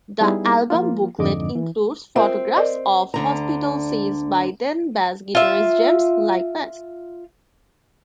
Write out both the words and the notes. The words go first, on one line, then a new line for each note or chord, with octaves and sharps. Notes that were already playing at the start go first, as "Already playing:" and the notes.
The album booklet includes photographs of hospital scenes by then-bass guitarist James Likeness.
G3 B3 D#4 E4 G#4
F3 A#3 F4
F2 G#2 D3 D#5 D6
E3
C4 F4 A#4 E5
A#4 D5 D#5
D2 D3 A#5
F4 E5